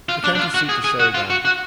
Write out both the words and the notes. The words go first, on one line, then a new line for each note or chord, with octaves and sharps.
The county seat is Sheridan.
F4
D4
D4
F4
F#4
G#4
G#4
F#4
F4
F#4
F#4